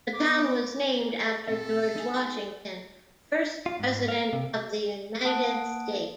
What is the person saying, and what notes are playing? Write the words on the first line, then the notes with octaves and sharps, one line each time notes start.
The town was named after George Washington, first President of the United States.
B3 D6
A#2 C4 A4 E5
D#4 G#4
F4
G#2
F5
C3
A#3 F#5 A5 D#6 F#6 D7